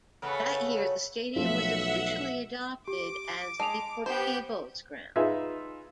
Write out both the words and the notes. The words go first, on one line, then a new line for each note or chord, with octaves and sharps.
That year, the stadium was officially adopted as Deportivo's ground.
C#3 A3 B3
B1 F3 A3 F4 E5 F#5
G4 D6
G#3 A5 F7
B3 G4 C5 G6
D#4 F4 G#4 B4 E5